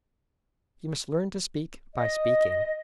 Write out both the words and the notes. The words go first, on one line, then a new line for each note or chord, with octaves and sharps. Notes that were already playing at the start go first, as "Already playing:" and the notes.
You must learn to speak by speaking.
D#5